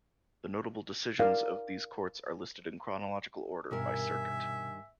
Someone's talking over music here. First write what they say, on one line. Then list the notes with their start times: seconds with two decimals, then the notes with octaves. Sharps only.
The notable decisions of these courts are listed in chronological order by circuit.
1.20 A#4 D5 F5
3.71 G2 B2 D#3 A#4 E5 G#5